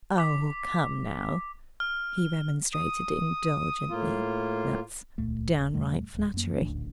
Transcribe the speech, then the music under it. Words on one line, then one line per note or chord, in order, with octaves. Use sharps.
"Oh, come now!" he remonstrated, indulgently--"that's downright flattery."
D6 B6
F6
D#6
A2 A#3 F4
D#1 C#2 A#2 A3
D#1
E2 B2 G3 A3
D1 E2
F#2 A#3
D#1 A1 D2 D4